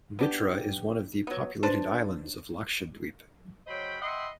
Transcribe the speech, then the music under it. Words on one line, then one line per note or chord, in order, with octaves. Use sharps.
Bitra is one of the populated islands of Lakshadweep.
B3 D4 G4
F#3 B3
D4 B4 C5 A5
C#3 F#3 C5 D#5 G5 B5
D#5 E5 F#5 G5 B5 C6